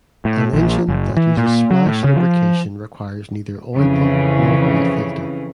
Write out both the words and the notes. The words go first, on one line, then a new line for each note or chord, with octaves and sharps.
An engine that uses splash lubrication requires neither oil pump nor oil filter.
A2
A#1
F#1
E3
A#2
F#3
A2
C#3
F3
F2 C#3 E3